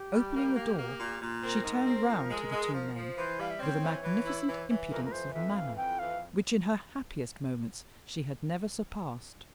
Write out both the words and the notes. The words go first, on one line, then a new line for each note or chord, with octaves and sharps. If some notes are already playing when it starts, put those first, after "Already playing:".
Opening the door, she turned round to the two men, with a magnificent impudence of manner which in her happiest moments she had never surpassed.
Already playing: G4
G3
A#3
A#3
A#3
A#2
A#2
C4 A#4
G#2
C4
F3
G#3
G#3
F3
F3
E3 C5
G3 F5
E5
C4 C#5
E3
E3
E4
E3
E3
F2 A#4
A#4
E3 C5
F2 E5
E3 F5
F2 G5
E3 F5